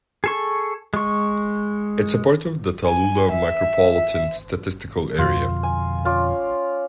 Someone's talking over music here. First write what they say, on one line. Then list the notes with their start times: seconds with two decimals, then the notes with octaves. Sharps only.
It is part of the Tallulah Micropolitan Statistical Area.
0.24 G#4 A4 C#6
0.94 G#3 C#6
2.85 G#5
3.33 E5
5.18 F2 B2 D3 F4
5.63 G#5
6.05 C#4 F4 D5